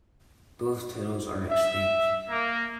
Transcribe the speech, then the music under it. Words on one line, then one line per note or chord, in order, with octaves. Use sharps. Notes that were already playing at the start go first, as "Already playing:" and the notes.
Both titles are extinct.
E5
A#3